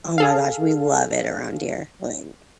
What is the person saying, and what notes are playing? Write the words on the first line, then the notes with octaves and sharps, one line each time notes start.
Oh my gosh, we love it around here. Like
G#4 A4 F5